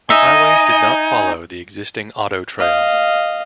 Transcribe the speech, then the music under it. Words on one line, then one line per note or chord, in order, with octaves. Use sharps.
Highways did not follow the existing auto trails.
D#4 D#5 E5 G#5
D#5 F5